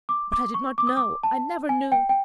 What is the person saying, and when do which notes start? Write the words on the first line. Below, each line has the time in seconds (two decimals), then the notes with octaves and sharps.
But I did not know; I never knew!
0.09 D6
0.32 D6
0.54 C#6
0.78 D6
0.87 D#6
0.97 D6
1.23 A5
1.69 G#5
1.92 G5
2.09 G5